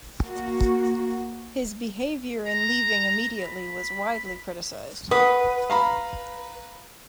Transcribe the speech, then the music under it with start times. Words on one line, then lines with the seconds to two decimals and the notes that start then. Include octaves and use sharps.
His behavior in leaving immediately was widely criticized.
0.22 A#3 F#4
2.46 A#5
3.40 B5
5.11 B4 F#5 D#6
5.70 F5 A#5 B5